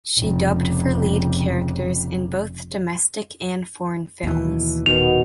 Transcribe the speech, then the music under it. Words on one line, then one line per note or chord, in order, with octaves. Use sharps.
She dubbed for lead characters in both domestic and foreign films.
F1 C#2
D#2 B2 E3
D#1 B2 D#3 F7